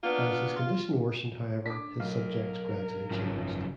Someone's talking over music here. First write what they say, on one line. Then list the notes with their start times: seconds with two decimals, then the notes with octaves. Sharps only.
As his condition worsened, however, his subjects gradually changed.
0.04 A#3 B3 D4 F4
0.57 F4
1.66 D4 D6 B6
2.00 B1 A#4 F5
3.11 G#1 F#2 C#3 F3 F#3